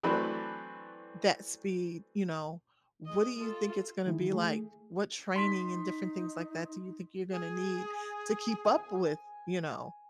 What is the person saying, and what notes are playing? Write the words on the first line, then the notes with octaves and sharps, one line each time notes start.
that speed, you know, what do you think it's gonna be like? What training and different things like that do you think you're gonna need to keep up with, you know,
E3 F#3 A3 C4 D4 B4
G#3 D#5
F4 A4
D#3 E3 G#3 E4
A3 G#4
D#4 C6 B6
G#4
G#5